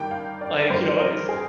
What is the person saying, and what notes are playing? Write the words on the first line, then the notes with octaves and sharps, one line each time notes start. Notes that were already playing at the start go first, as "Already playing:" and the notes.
Like, you know, it's
Already playing: G2 D#3 A#3 G5
F5
D5
A#4
G2 D#3 A#3 C5
A#4
G#4